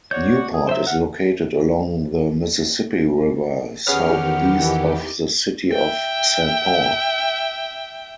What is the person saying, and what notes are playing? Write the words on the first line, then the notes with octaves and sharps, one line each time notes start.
Newport is located along the Mississippi River, southeast of the city of Saint Paul.
F#4 C#5 D5 G6
G#4
F#3 C5 E5
F#5 F6
E2 D#3 B3 C#4 G4 G#4 F#5 F6
E3
E5 G5